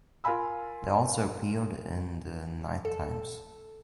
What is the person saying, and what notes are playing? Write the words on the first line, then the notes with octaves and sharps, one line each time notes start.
They also appeared in the Night Times.
F4 A#4 F5 G#5 B5 E6
A4